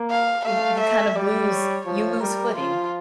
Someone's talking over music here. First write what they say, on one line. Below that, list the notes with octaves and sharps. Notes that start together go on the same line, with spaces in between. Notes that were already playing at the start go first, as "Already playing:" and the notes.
y you kind of lose you lose footing.
Already playing: A#3
F5
A3 F5
E5
G3 D5
C#5
F3 C#5
G3 A#4
F3 F4